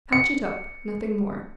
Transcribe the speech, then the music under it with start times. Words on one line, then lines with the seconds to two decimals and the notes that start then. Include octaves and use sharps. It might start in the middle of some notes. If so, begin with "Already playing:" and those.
Patch it up, nothing more.
0.13 C#7